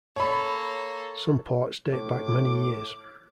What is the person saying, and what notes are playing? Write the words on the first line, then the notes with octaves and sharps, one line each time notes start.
Some ports date back many years.
A#3 A4 C#5 B5
A2 D6